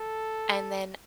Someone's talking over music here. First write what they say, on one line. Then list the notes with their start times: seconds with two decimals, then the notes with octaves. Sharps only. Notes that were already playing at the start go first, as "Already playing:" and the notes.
and then,
Already playing: A4